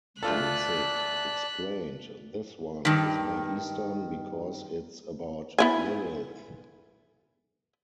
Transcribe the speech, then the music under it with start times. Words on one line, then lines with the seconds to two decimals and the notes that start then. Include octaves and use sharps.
Danzig explained This one is more Eastern, because it's about Lilith.
0.23 D2 F4 A4 D5 A5 F#6 B6
2.85 G2 D#3
5.59 B3 E4 G#5